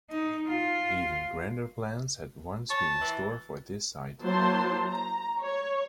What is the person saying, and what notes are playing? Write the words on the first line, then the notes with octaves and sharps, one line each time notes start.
Even grander plans had once been in store for this site.
D#4
F4
C#5 A5
E3
F#3 A#3 E4 C5 A5 C6
A#5
C#5